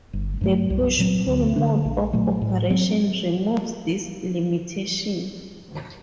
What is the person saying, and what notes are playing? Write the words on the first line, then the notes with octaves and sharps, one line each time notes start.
The push-pull mode of operation removes this limitation.
G1
G2 F#3 A3
C2
A#2 F#3 C4
D2
D3 A3 D4
A#1
A#2 F#3 A3
A2
F#3 C4